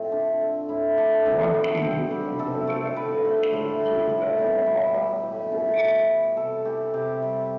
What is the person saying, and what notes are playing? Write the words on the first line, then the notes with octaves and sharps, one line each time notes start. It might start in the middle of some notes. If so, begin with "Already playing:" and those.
One king of Kamboja was King Srindra Varmana Kamboj.
Already playing: A2 F3 A3 C4
D3 D4
A3
A2 E4
F3 A3 D4
D3 C4
A3 B3
D3 C4
G3
C3 A4
F3 A3
D3 B4
F3 A3
A2 C5
G3
A2
E3 G3
B2 B4
G3 G4
A2
E3 A3
B2
G3
C3 A4
E3 A3 G4
C3 G4
G3